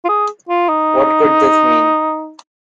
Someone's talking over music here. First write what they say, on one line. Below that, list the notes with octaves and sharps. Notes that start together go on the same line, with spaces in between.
What could this mean?
F4
G#4
F4
D#4